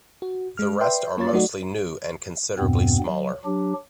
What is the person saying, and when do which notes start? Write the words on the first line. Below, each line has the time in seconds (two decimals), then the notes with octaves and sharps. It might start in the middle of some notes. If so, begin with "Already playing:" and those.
The rest are mostly new and considerably smaller.
0.22 F#4
0.57 G#3 F6
0.80 B4 D5 E5 G5 C6
1.18 A#3 F4 C#5 A6
1.33 F#3 A3 D#4 F#4 D5
2.59 E2 G2 B2 B3 C4
3.07 F#3
3.45 F#3 D4 G4